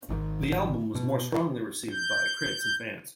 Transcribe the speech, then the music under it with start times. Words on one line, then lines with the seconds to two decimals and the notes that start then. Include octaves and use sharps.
The album was more strongly received by critics and fans.
0.09 G#1 G#2 C3 D#3
0.95 B2
1.91 G6